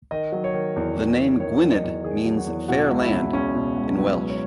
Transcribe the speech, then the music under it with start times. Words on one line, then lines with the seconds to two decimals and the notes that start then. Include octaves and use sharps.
The name Gwynedd means "Fair Land" in Welsh.
0.11 D#3 D#5
0.32 F#3
0.44 C#5
0.54 D#3
0.76 E2
0.97 E2
1.19 E2
1.39 D#3 C#5
1.62 F#3
1.72 D#5
1.84 E2
2.04 D#3 G#4
2.25 F#3
2.37 F#4
2.47 E2
2.68 B2 F#4
2.90 C#2
3.01 E4
3.11 B2
3.33 C#2 C#4
3.55 B2
3.76 C#2
3.98 F#3 B4
4.19 C#2
4.30 C#5